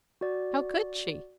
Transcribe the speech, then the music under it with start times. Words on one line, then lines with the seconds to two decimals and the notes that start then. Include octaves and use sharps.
How could she?
0.21 F#4 D5